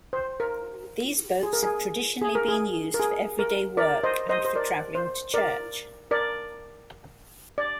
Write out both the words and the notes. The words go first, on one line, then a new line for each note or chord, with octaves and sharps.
These boats have traditionally been used for everyday work and for traveling to church.
C5
A#4
G#4
A#4
G#4
G#4
A#4
G#4
A#4
G#4
A#4
A#4 D5
C5 D#5
C5 D#5
C5
A#4 D5
C5
A#4 D5
A#4 D5
D5